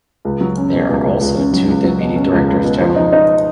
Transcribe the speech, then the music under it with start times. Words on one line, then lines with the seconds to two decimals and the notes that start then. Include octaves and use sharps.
There are also two Deputy Directors-General.
0.25 C#2
0.41 F#3
0.57 C#4
0.73 B2
0.89 C#2
1.05 C#2
1.21 C#2
1.37 C#4
1.53 F#3
1.68 C#2
1.85 F#3
2.01 B2
2.16 C#4
2.32 C#2
2.48 C#2
2.64 B2
2.81 F3
2.96 D#4
3.12 D#4